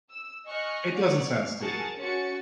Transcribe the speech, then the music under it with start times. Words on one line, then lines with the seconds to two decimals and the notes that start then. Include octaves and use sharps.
It doesn't sound stupid.
0.11 E6
0.46 D#5 G#5 C#6 F6 F#6
0.91 C#5 D5 F#5
1.30 F5
1.60 F#4 G#4 A#4 A5 A6 C#7
1.97 C#4 F#4 A6 C#7